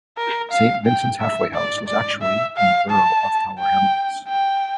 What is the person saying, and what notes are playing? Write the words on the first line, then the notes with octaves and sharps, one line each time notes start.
'Saint Vincents Halfway House' was actually in the borough of Tower Hamlets.
A#4
F5
G5
E5
D5
D5
E5
F5
A5
G5
G5